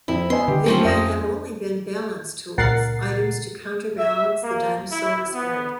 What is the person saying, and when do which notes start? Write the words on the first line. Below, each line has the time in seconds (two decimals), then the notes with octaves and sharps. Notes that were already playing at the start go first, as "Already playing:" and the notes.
They may have only been balance tools, items to counterbalance the dinosaur's head.
0.08 F2 C4 E4
0.30 B3 D#5 G#5 C6
0.48 D3 G4
0.66 F3 F#3 A3 A#3 C4 C#4
0.85 F2 A#3 E5 D#6 A#6
2.58 C#2 A#2 A#4 F#5 A6 C7
3.98 E5
4.42 A#3
4.92 E4
5.34 B3